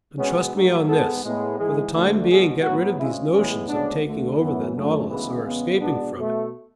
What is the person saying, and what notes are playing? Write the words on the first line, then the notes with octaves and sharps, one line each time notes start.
And trust me on this: for the time being, get rid of these notions of taking over the Nautilus or escaping from it.
B2 G#3 B3 C#4
G#2 F#3 A3 D4
G#2 G#3 B3 A4
A2 G#3 B3
G#2 E3 G#3 G#4
D2 D3 A3
C#2 B2 G#3 G#4
A2 F#3 B3 F#4
D2 C#3 G#3 E4
A2 E3 G#3 B3 C#4
D2 C#3 G#3 B3 D4
D2 D3 A3
F#2 E3 B3
F#2 D3 A3
D2 C#3 E3 G#3 B3 B4
E2 C#3 G#3 B3
B2 G#3 B3 D4
B2 A3